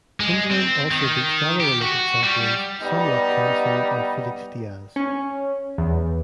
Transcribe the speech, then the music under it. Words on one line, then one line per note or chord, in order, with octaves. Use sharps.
Kindelan also beat fellow Olympic champions Somluck Kamsing and Felix Diaz.
G#3
C4
D#3
G4
F#4
G3
G3 B3 D#4
C#4
E2